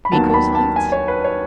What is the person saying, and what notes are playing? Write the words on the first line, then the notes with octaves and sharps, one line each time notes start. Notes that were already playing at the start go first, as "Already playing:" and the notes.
Miko's lights?
B5
D#2 D#3 F#3 B3 A5
A5
B5
A5
G#5
C#5
B4
C#5